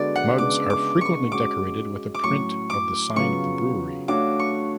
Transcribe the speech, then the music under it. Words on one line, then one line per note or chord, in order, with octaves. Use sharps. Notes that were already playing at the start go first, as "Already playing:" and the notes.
Mugs are frequently decorated with a print of the sign of the brewery.
Already playing: D3 G#3 B3 F#4 A4 D5
F#5
C#3 G#3 B3 D4 D6
D6
C#6
G#3 C#4 F#4 D6
D6
A2 F#3 C#4 C#6
D6
C#3 F#3 B3 F4 C#6
A3 D4 F#4 C#5 F5 D6
C#6